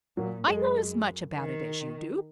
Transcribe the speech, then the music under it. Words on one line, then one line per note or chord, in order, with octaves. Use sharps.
"I know as much about it as you do!"
A#2 F#3 A#3
F#2 G#3
D#3